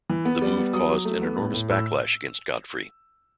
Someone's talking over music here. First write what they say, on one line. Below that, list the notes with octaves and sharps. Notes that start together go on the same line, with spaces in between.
The move caused an enormous backlash against Godfrey.
E3
B3
G3
B3
F#3 D#6
F#3
A3
B3
A2
A2
A2 E6